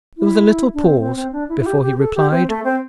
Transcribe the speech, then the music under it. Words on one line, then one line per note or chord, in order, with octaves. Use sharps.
There was a little pause before he replied.
E4
D4
C4
C4
C4
D4
E4
E4
G4
G4
A4
G4
C4
A3
C4